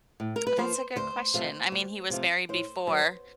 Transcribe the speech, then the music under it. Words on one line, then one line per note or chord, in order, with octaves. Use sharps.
That's a good question. I mean, he was married before,
A2
A#4
B4
F3 A#3 C5
D2 C5
C3 F3 A3
D2
C3 F3 A3
A2 C5
F#3 B3